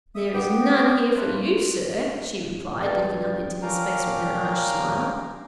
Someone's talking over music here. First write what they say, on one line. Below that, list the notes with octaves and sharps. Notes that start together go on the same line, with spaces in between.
"There is none here for you, sir," she replied, looking up into his face with an arch smile.
E5 D#6
B3 G4 G5
A3 F4 B4
G2 D5 G5 A6
C#4 D4 A#4 F5 G5 A#5